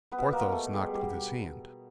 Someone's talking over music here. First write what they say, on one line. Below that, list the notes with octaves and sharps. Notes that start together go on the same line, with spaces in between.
Porthos knocked with his hand.
B3 B4
B2
A#3 A#4
B2
A3 A4
G3 G#3 G#4
G3 G4
B2